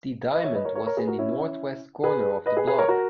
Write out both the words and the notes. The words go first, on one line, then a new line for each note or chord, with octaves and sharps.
The diamond was in the northwest corner of the block.
B4 D#5
C#5 E5
B4 D#5
A#4 C#5
A#4 C#5
A#4 C#5
G#4 B4
F#4 A#4
C#4 E4
G#4 B4
B4 D#5
G#4 B4
G#4 B4
A#4 C#5
F#4 A#4